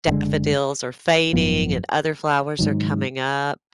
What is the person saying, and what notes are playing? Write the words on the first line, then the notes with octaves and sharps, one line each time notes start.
daffodils are fading, and other flowers are coming up.
F#1 F2 D3 G#3
G#1 F#2 F3 B3
G#2 D#3 F#3